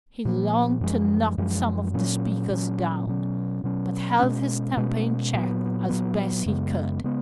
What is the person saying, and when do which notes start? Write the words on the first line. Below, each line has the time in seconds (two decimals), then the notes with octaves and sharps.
He longed to knock some of the speakers down, but held his temper in check as best he could.
0.25 A#2 F3 A#3
0.81 F#2 F3 G#3
1.38 F#2 F3 G#3
1.94 A#2 F#3 C#4
2.50 A#2 F#3 C#4
3.07 B2 F#3 C#4
3.64 B2 F#3 C#4
4.20 B2 G#3 C#4
4.77 B2 G#3 C#4
5.34 A#2 F#3 B3
5.89 A#2 F#3 B3
6.46 F#2 C#3 G#3 B3
7.04 C#3 G#3 B3